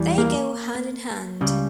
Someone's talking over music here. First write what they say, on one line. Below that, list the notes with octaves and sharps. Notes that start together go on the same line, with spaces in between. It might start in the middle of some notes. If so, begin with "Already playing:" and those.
They go hand-in-hand.
Already playing: E2 E3 G3
A#3
C#2 C#3 G3